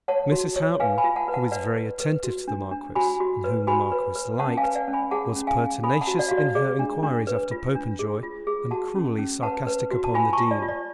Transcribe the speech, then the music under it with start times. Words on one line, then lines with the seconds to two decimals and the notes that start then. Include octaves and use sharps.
Mrs. Houghton, who was very attentive to the Marquis and whom the Marquis liked, was pertinacious in her enquiries after Popenjoy, and cruelly sarcastic upon the Dean.
0.08 C#5 F#5 A5
0.32 F#4
0.56 C#5
0.80 B4 F5 G#5
0.98 G#5 B5
1.04 F4
1.16 F#5 A5
1.28 B4
1.34 F#5 A5
1.52 B4 D5 F#5
1.76 B4
2.00 B4
2.24 F#4
2.48 D4
2.71 D4
2.95 F#4 G#5 B5
3.20 F#4
3.44 B4
3.67 F#4 G#5 B5
3.92 B4
4.16 B4
4.39 C#4 F#5 A5
4.57 F5 G#5
4.64 B4
4.75 D5 F#5
4.88 C#4
4.93 G#5 B5
5.11 G#4 F#5 A5
5.36 C#4
5.47 F5 G#5
5.59 C#4
5.83 A4 G#5 B5
6.01 F#5 A5
6.07 F#4
6.19 D5 F#5
6.28 F#4 F5
6.37 D5
6.55 G#4 D5
6.79 D4
7.03 D4
7.27 B4
7.51 F4
7.75 D4
7.99 G#4
8.23 F4
8.47 G#4
8.71 F#4 F#5 A5
8.95 C#4
9.19 C#4
9.42 B4 F#5 A5
9.67 B4
9.91 F#4
10.04 A5
10.14 F4 G#5 B5
10.33 A5 C#6
10.38 F4
10.51 D5
10.62 F4
10.68 D5